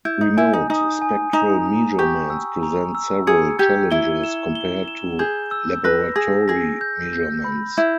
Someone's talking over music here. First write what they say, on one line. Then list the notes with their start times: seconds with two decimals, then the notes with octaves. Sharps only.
Remote spectral measurements present several challenges compared to laboratory measurements.
0.05 E4 G6
0.21 D#4
0.37 E4 G#5
0.53 D#4
0.70 D#4 D#6
1.02 G#5
1.33 D#4 A#5
1.66 A#5
1.98 G4 C#6
2.30 E6
2.63 A#5
2.95 E6
3.27 G#4 C#7
3.59 G4 G#6
3.91 E4 G7
4.24 E7
4.55 G7
4.88 E7
5.19 G#4 G6
5.51 E6
5.84 B4 A#6
6.16 G#4 A#6
6.48 G#4 A#6
6.81 G6
7.13 G6
7.44 B5
7.77 E4 G6